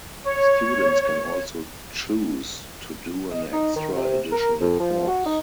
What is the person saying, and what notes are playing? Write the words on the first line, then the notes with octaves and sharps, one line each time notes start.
Students can also choose to do an extra additional course.
C#5
D#5
D#4
D#3
C3
A#4
F2
F3
F#4
D#4